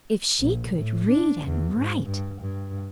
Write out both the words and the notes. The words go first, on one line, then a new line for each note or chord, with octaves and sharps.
If she could read and write!
A#1
A2
D4
E2
G#2
G2
G2